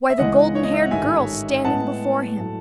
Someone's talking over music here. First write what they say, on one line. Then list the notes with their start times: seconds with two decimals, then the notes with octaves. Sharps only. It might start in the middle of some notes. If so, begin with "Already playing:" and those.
Why, the golden-haired girl standing before him.
0.10 E5
0.18 C#2 C#3 E3 G#3 D#5 F#5
0.55 C#5
0.64 D#5
0.74 E5
0.82 F#5
0.91 A1 G#2 D#3 A3 E5 G#5
1.64 A2 G#3 B3 F#5 A5
2.37 A2 F#3 A3